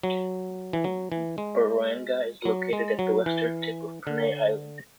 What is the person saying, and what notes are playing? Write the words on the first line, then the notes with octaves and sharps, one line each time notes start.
Buruanga is located at the western tip of Panay Island.
F#3
E3
F#3
E3
G#3
F#3
G#3
F#3
E3
D3